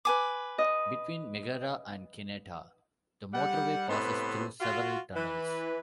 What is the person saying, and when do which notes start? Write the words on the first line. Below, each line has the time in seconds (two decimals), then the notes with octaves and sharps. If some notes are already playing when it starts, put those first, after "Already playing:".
Between Megara and Kineta the motorway passes through several tunnels.
0.05 B4 G#5 D6
0.58 D#5
3.34 G3 F#5
3.89 A2 C3 B3 C4 B4 C6
4.61 F4 F#4
5.16 E3 B4